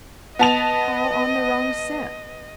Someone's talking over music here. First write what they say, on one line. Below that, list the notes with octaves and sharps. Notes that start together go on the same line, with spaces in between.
"How on the wrong scent?"
B3 D#5 A5 F7